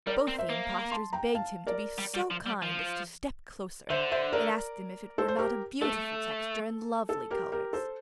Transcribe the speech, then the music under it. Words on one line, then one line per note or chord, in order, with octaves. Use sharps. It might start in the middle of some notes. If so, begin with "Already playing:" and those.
Both the impostors begged him to be so kind as to step closer, and asked him if it were not a beautiful texture and lovely colours.
G3 A#4 D5
C4
C5 E5
A#3
A5 C6
G5 A#5
F5 A5
A#4 D5
G3
G3
F3
G3
F3
D3 C5 E5
C5 E5
A#4 D5
A4 C5
C5
G4 A#4
A3 A4
A4
G4 A#4
G4 A#4
A4 C5